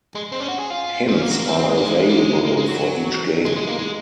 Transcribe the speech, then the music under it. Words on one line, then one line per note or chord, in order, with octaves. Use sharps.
Hints are available for each game.
G#3
C4
C#4
F#4
G#4
F4
C4
C#4
A#3
F#3
A#3
C4
C4
G#3
A#3
G#3
A#3
G#3
A#3
G#3
A#3
G#3
F#3
G#3
G#3
A#3
G#3